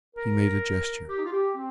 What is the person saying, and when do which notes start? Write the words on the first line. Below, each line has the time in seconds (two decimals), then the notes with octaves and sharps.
He made a gesture.
0.16 A#4
1.09 G4
1.18 D#4
1.25 F4
1.32 G4
1.55 C4